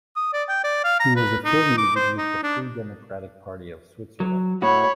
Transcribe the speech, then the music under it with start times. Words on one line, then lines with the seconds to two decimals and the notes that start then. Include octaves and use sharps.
He was affiliated with the Free Democratic Party of Switzerland.
0.16 D#6
0.34 D5
0.49 G5
0.64 D5
0.84 F5
1.00 A#5
1.16 B4
1.45 D#4
1.78 D6
1.96 C5
2.18 D#4
2.43 D4
4.20 F#3
4.62 A2 F#4 C#5 B5